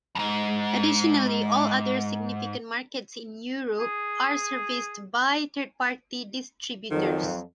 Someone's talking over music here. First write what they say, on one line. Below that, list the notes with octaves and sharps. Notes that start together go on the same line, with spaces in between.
Additionally, all other significant markets in Europe are serviced by third-party distributors.
F2 G#2
G#4
F2 D#3 F#3